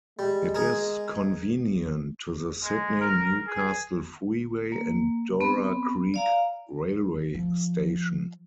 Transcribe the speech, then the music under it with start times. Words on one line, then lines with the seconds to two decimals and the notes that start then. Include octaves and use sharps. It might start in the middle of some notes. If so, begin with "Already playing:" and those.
It is convenient to the Sydney-Newcastle Freeway and Dora Creek Railway Station.
0.19 G3 G#3
0.55 G#4 A#4
2.64 G#3
3.00 A#4
3.47 G#4
4.72 A#3
5.40 B3 C4 B5
6.14 D5 F5 A#5
7.35 F3